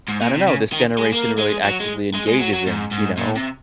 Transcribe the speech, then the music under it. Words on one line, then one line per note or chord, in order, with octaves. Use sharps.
I don't know, this generation really actively engages in, you know?
G#2
A#2
C3
C#3
D#3
G#3
A#3
G#3
F#3
G#3
G#3
G#3
F#3
F#3
G#2
G#2
A#2
C3